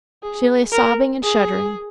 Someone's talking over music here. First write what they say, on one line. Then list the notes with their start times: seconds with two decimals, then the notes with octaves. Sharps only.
She lay sobbing and shuddering.
0.23 G#4
0.72 A#4
1.24 G#4